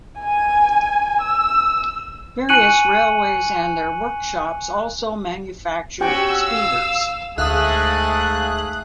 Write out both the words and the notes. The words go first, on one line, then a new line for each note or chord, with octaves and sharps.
Various railways and their workshops also manufactured speeders.
G#5
E6
G#5 C#6 F#6 C#7 D#7 F#7
C#4 F#4 G4 G5 G#5 E6
F5
D2 G#2 A3 G#4 E5 F5 D#6 F#6